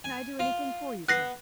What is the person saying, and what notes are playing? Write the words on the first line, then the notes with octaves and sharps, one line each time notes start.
"Can I do anything for you, sir?"
G#5
F4
B3 F#6 A#6 C7